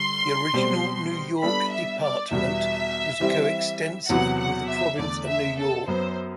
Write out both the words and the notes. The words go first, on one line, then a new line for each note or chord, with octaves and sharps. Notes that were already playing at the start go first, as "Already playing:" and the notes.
The original New York Department was coextensive with the Province of New York.
Already playing: D3 G3 C6
B2 G3 C4 G4 C5
G3 B3 D4 A4 B5
E5
D5
E2 B2 G3 B3 F#4 E5
E3 G3 C4 G4
E2 C3 F#3 B3 F#4 F#5
F#5
E5
E2 D3 A3 D5
E5
A4
F#2 F#3 B3 C5